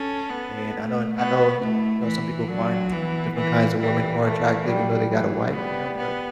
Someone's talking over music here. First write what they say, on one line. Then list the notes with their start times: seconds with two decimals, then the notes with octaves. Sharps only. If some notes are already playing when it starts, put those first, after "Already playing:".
And I known and I know he you know, some people find different kinds of women more attractive even though they got a wife, you know? But,
Already playing: C#4 A4
0.29 B3
0.74 A3
1.17 B3 F#4
1.60 A3 E4
2.05 E3
2.48 F#3 D4
2.92 E3 B3
3.35 E3
3.79 E3 G3
4.22 E3 A3
4.66 F#3 G3
5.09 E3 F#3
5.54 G3 B3
5.97 B3